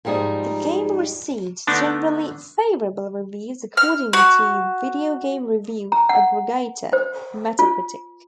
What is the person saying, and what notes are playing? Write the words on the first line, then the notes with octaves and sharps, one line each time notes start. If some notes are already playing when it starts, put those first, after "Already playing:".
The game received "generally favorable" reviews according to video game review aggregator Metacritic.
G#2 F3 G3 D#4 G#4
D3 A3 B3 D4 D#4
F6
F#4
A#5
F#5
C5
F4